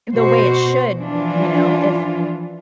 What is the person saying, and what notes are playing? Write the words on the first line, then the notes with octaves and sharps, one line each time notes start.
The way it should, you know, if
B2 F#4 C5
E3 F3 D4 F4